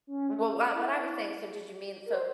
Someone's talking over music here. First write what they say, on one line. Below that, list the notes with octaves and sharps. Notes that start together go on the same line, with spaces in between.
uh, well, what what I was saying, so did you mean, so
C#4
E4
A#4
C5